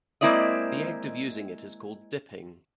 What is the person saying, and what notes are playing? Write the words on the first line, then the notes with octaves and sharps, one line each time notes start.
The act of using it is called "dipping".
G#3 A#3 C4 E4 D5 D#5